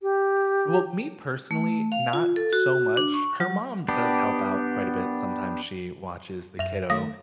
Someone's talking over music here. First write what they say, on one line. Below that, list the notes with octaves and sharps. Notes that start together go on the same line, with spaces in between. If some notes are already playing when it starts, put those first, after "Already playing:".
Well, me personally, not so much. Her mom does help out quite a bit. Sometimes she watches the kiddo,
G4
A3
F5
F4
A4
F#4
D4
C#6
F#3
B3 D4 G4
F#2 E5 F7
D#3 A3 F5 D#6 A#6